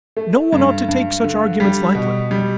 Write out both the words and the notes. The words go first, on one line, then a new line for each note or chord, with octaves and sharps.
No one ought to take such arguments lightly.
A3
G2
G2
D3
G3
B2
G3